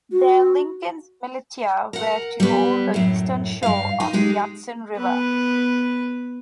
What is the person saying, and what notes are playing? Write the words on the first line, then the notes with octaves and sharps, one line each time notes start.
There Lincoln's militia were to hold the eastern shore of the Hudson River.
F#4
A#4 F#5
G3 B3
F#2 A2
G2 F5
D#4 F4
G#3 D#4 G4
B3 B4